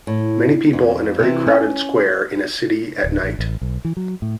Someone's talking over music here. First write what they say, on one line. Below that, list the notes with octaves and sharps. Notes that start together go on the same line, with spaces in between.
Many people in a very crowded square in a city at night.
A2
F2
C3 E3
C#4
D1
A1
A1
B1
E3
F#3
A2